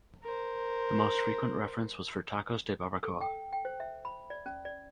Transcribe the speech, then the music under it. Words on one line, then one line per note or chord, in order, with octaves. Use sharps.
The most frequent reference was for "tacos de barbacoa".
A#4 C5
A4
G5
G5
C5
E5
B5
D5
C#4
D5